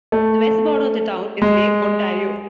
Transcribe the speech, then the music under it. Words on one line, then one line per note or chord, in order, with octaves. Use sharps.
The west border of the town is Lake Ontario.
A3
G#3